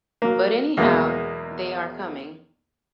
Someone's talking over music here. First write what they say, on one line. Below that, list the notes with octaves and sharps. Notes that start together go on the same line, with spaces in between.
But anyhow, they are coming.
F#3 A#3
E2 B2 F#3 G#3 A#3